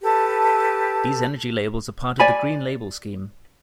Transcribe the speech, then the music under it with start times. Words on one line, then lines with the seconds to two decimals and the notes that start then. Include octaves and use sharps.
These energy labels are part of the Green Label Scheme.
0.02 G4 A4 B4 A5
2.20 D5 G#5 B5